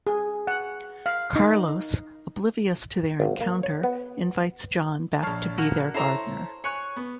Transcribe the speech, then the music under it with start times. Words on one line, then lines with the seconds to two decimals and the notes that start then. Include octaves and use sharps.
Carlos, oblivious to their encounter, invites John back to be their gardener.
0.07 G#4
0.47 F#5
1.06 F5
1.36 D#4
3.20 G#1
3.41 A#3
3.63 C#5
3.83 B3
5.22 A#1 C#5 F5 A5
5.58 A#3 F#4 F6
5.94 E4 A4 C5 C#5 A#5 C6
6.64 C#5 G#5 C#6 F#6
6.97 B3